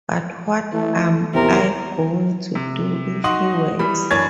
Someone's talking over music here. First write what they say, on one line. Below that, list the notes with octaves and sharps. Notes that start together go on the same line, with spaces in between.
But what am I going to do if he works?
E3 A3
G#1 E2 C3 A#4
C3
D#4 F#4 C6 D#6 F#7
E3 G3 B5
F#2 E3 D4 C#5 G#6 A6